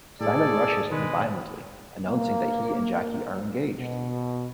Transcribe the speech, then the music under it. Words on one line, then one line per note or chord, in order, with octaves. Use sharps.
Simon rushes in violently, announcing that he and Jackie are engaged.
A2 G#4 A4 D5
B2 D#3 G#3 B4
A#3
B2